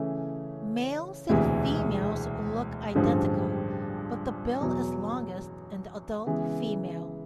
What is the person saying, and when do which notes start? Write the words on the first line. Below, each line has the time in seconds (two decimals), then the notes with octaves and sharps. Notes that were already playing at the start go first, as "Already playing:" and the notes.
Males and females look identical, but the bill is longest in the adult female.
Already playing: C#3 E3 A3 C#4
1.29 E1 D2 C3 E3 G#3
2.95 A1 G2 D3 F3 G#3
4.61 E2 B2 F#3 B3
6.26 C#3 E3 G#3 B3